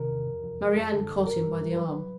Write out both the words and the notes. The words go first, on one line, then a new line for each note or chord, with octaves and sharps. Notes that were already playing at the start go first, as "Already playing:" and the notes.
Marie-Anne caught him by the arm.
Already playing: C3 D#3 A#4
E2
F2
F2
F2
F#2 A4
D3
F#2
G2 A#4
G3
G3
F#3 B4
F#3